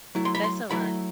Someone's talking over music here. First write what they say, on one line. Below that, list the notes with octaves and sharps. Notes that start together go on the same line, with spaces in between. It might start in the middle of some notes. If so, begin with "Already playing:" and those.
That's a lot.
F#3 A3 E4
C6
B5
C6
F#3 A3 E4 B5